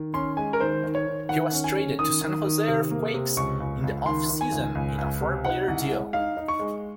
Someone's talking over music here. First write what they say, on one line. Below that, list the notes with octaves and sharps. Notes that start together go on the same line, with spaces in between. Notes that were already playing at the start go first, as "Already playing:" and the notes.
He was traded to San Jose Earthquakes in the off-season in a four-player deal.
Already playing: D#3
C#4 C6
G#3 G#5
A#4
D#3 C5
D#3
C#5
D#3
D#3 F#5
C#4
G#5
C#4
D#3 D#6
D#3
D#3
C3
A#3
C3
C#2 C#6
C#2
C#2
D#3 C6
D#3
G#5
C#2
C#2
C#2
C3
D#4 F#5
C2
G#3
D#4 F5
D#4
C#6
G#3